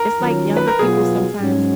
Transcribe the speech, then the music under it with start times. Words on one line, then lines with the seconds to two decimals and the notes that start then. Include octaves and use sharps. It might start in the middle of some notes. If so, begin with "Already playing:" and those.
It's like younger people sometimes
Already playing: A#4
0.19 D#3 F#3 C#4 F4
0.57 B4
0.67 A#4
0.79 B2 F#3 B3 F4 G#4
1.39 G#2 F#3 C#4